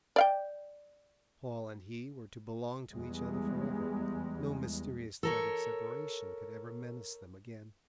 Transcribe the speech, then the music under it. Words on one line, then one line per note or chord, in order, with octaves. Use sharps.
Paul and he were to belong to each other forever: no mysterious threat of separation could ever menace them again!
D5 F5 G5
E2 G3 G#3
A4 A#4 C#5